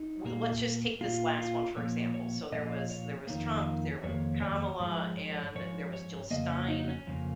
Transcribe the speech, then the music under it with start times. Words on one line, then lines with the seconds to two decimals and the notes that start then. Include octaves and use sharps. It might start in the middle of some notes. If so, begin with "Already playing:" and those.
w let's just take this last one for example. So, there was there was Trump, there was Kamala, and there was Jill Stein.
Already playing: D#4
0.25 A#2 A#3
1.01 A#2 A#3 F4
1.39 F4
1.76 A#2 F3 A#3 C#5
2.14 C#5
2.52 A#2 F3 A#3 D#5
2.90 C#5
3.27 F2 D#3 A#3
4.03 F2 D#3 A#3 C#5
4.42 C#5
4.80 G#2 F3 G#3
5.17 C#5
5.55 G#2 F3 C#5
5.93 C#5
6.31 F2 C#3 A#3 D#5
6.50 C#4
6.68 D#4
6.88 C#4
7.07 F2 C#3 A#3